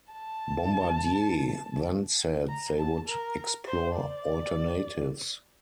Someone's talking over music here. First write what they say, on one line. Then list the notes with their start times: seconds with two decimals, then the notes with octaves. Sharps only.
Bombardier then said they would explore alternatives.
0.13 A5
2.49 A#5
2.79 A5
3.08 A#4
3.67 C5
3.96 D5